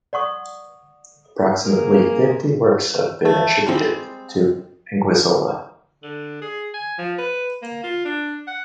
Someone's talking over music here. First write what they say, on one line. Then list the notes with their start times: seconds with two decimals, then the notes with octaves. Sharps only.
Approximately fifty works have been attributed to Anguissola.
0.13 D5 F#5 C#6 D#6
1.65 A#3 G#4 A#4
3.25 A3
3.67 G3 G#3 C4
6.03 D3
6.41 G#4
6.74 G#5
6.98 F3
7.18 B4
7.62 A#3
7.83 F4
8.05 D4
8.47 F#5